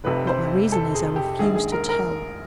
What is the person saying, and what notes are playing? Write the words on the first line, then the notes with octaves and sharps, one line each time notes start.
What my reason is, I refuse to tell.
F1 F2 C3 B4
C5
A4
G#4
G4
A#1 G#2 D#3 G#4
G#4
A#4
A#4